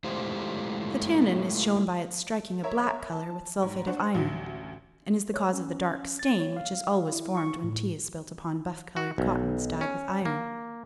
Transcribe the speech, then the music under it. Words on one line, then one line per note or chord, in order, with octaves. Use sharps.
The tannin is shown by its striking a black colour with sulphate of iron, and is the cause of the dark stain which is always formed when tea is spilt upon buff-coloured cottons dyed with iron.
G#3 A3 E4 F4 G4 C5
A#4 C#5 E5 A#5
A5
G#2
D4 C5 F#5 C#6
A1 D2 F#3
C#5
C#4
A6
C#5
F5
E4
C#6
A2
F#4
B1
C#4
A#3